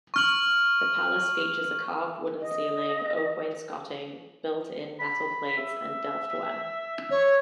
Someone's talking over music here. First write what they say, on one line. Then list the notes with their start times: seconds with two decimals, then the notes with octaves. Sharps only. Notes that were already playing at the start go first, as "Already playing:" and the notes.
The palace features a carved wooden ceiling, oak wainscoting, built-in metal plates and Delftware.
0.14 C#6 F6 F#7
2.41 D#5
5.00 B5
5.58 E5
7.11 C#5